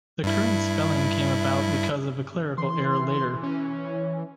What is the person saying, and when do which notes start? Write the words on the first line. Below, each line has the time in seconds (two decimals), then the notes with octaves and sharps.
The current spelling came about because of a clerical error later.
0.23 G2 E4
2.58 E3 C6
3.43 C#4